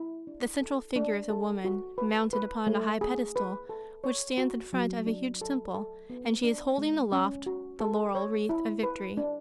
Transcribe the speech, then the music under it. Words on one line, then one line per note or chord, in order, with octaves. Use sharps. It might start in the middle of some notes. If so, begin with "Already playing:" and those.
The central figure is a woman, mounted upon a high pedestal, which stands in front of a huge temple, and she is holding aloft the laurel wreath of victory.
Already playing: E4
D4
A4
D4
A4
F#4
B4
B4
A3
G#4
B4
A4
C#5
F#4
F#3
D4
A4
A4
B3
D4
G#3
C#4
F#4
A4
C#5
E4
B4
D4